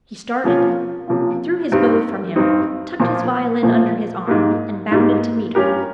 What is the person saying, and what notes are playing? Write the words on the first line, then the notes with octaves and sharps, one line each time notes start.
He started, threw his bow from him, tucked his violin under his arm, and bounded to meet her.
C3 F3 A#3 C#4 F4
C3 F3 A#3 C#4 F4
G2 G3 C4 D#4
G2 G3 C4 D#4
A#2 F3 A#3 F4 C5
A#2 F3 A#3 F4 C5
G#2 G3 A#3
G#2 G3 A#3
G2 G3 C#4 G4 A#4